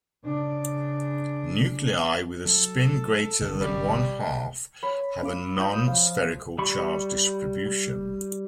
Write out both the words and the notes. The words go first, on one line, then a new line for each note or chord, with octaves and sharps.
Nuclei with a spin greater than one-half have a non spherical charge distribution.
C#3 D4
F#3 A4
G1 C2
G3
C#5 B5
C#4 F4 D6
F4 C#6 D#6 G6
F3 F5
G3 B5 C#6